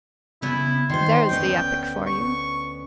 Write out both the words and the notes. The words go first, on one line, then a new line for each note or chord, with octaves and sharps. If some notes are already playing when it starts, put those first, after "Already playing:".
There's the epoch for you.
C#3 B3 E4
D#3 C5 C6
D2 B3 C#4 G5
C#6